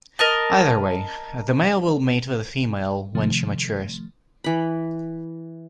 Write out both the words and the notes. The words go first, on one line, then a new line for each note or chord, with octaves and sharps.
Either way, the male will mate with the female when she matures.
A#4 D#5 A5
C3 D#3 F3 A3
E3 B5